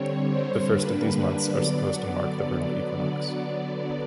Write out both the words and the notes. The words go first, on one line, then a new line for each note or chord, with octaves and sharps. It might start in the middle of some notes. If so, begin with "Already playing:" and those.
The first of these months are supposed to mark the vernal equinox.
Already playing: D3 G3 C4 C#5
C5
D3 G3 A#3 D4 B4
D3 F#3 B3 D5